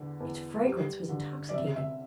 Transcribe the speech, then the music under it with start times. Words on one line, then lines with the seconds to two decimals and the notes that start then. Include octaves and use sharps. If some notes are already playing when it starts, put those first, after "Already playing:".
Its fragrance was intoxicating.
Already playing: E2 D3
0.20 E2
0.65 G3
1.09 D3
1.49 D5
1.53 C3 E5
1.76 E5